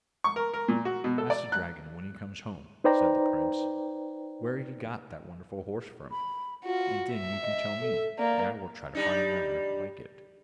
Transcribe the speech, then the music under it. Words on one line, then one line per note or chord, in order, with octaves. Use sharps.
'Ask the dragon when he comes home,' said the prince, 'where he got that wonderful horse from, and then you can tell me, and I will try to find another like it.'
C#6
A#4
A#4
A#2
F#4
B2
A4
D5
F#6
D#4 B4 C5 D5 G5 A#5
B5
F4 F#4
E5
D#5
A4
A#3 D5
G3 D4 D#4